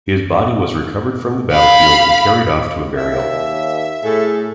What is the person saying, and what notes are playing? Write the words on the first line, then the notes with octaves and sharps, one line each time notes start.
His body was recovered from the battlefield and carried off to a burial.
F5 B5
D#2 E5
A2 G#4 A4